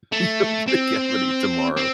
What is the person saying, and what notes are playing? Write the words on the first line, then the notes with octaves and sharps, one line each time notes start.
you don't get a cavity tomorrow.
A3
C4
C4